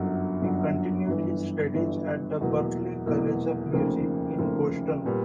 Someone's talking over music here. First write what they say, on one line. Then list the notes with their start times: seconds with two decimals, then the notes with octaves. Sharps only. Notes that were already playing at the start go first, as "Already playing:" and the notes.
He continued his studies at the Berklee College of Music in Boston.
Already playing: G1 F#2 D3 F#3
0.42 G1 F#2 D3 F#3
1.07 G1 G2 E3
1.74 G1 G2 E3
2.40 F1 E2 B2 F#3 A#3
3.06 F1 E2 B2 F#3 A#3
3.73 F1 D#2 C#3 F3 A#3
4.38 F1 D#2 C#3 F3 A#3
5.05 A#2 G3 B3